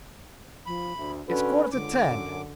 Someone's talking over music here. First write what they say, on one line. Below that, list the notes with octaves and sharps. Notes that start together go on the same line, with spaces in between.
"It's quarter to ten."
F3 B5
D2 E5
D3 C#4 F#4 B4
C#2 D3 D6
F#2